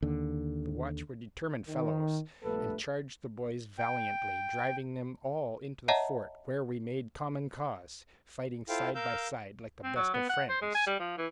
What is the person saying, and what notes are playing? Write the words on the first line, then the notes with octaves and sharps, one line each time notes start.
The watch were determined fellows, and charged the boys valiantly, driving them all into the fort, where we made common cause, fighting side by side like the best of friends.
D#2 D3
D#3
A#1 G2 A3 B3 A4 B4
G5
C#5 D#5 E5 F#5 A5 A#5
E4 F4 A4 C5 F5 G5
A#4 F5 E6 G6
C4
F#3
B3
F#5
C5
G#3
G#5
G3
F3
E3